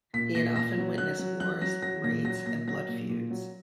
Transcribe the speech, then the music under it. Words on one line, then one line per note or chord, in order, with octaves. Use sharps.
He had often witnessed wars, raids, and blood-feuds.
A#2 B6
A#2 A#6
A#2 A#6
F#3
F#3 F#6
F#3
F#3 F#6
F#3 A#6
F#3 A#6
A#2 A#6
F#3 A#6
A#2 A#6
F#3 A#6
A#2
A#2
F#3